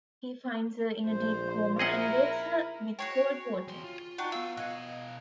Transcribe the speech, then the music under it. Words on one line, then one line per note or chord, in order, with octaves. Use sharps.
He finds her in a deep coma and wakes her with cold water.
A#1 C5
E4 G#4 A#4 D#5 F#5
F#4 G#4 C#5 G5
E2 C6
F4
D4 D#4 F#4 F#5 G5 F#6
B3 F5 E6
B2 D#5 F5 F#6 G#6 C#7